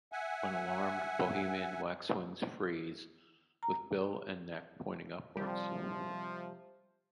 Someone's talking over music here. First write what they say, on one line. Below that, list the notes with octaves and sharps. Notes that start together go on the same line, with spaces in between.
When alarmed, Bohemian waxwings "freeze" with bill and neck pointing upwards.
E5 F#5 G#5
A#5
C3 F3 G3